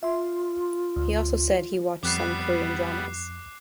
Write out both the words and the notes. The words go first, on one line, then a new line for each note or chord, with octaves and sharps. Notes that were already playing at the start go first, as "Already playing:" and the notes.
He also said he watched some Korean dramas.
F4 E5 C6
D2
F2 G3 B3 D6 F#6 C7